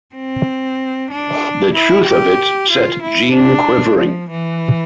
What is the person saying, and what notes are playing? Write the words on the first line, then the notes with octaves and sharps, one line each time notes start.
The truth of it set Jeanne quivering.
C4
D4
E4
G4
F4
E4
D4
F3
E3